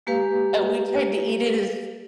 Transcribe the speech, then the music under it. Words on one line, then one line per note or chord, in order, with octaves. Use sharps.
And we tried to eat it as
G#3 A#3 G4 B4 F5